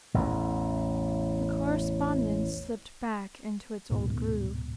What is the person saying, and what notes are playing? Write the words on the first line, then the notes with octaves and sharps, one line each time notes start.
The correspondence slipped back into its old groove.
A1 E2
D1 C2 G#2 B2